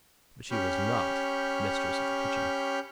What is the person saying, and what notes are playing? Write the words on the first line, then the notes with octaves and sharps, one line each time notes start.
But she was not mistress of the kitchen.
C#4 G4 B5 C#6 F6 G6